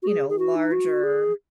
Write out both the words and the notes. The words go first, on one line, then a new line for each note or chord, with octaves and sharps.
you know, larger,
F#4
G#4
G#4
F#4
D#4
F#4
G#4